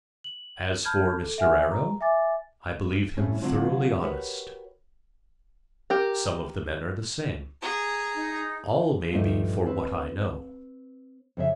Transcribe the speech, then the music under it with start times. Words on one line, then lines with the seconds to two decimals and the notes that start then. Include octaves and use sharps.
As for Mr. Arrow, I believe him thoroughly honest; some of the men are the same; all may be for what I know.
0.24 F#7
0.85 A5 B5 F6 G6 G#6
1.22 A4
1.38 E5 F#5 G#5 F6
1.72 A#5
2.01 E5 G#5 D6 A6
3.17 A2 C3 G3 C#4
3.42 D3 F#3 C4 D4 F4
4.01 F#4 G4 A#4 B4 C#5
5.90 G4 A#4
7.62 G#4 A#5
8.15 D#4
9.13 G2 A#2 F3 A3 D#4
9.66 C4 B4
11.37 F2 C#3 E5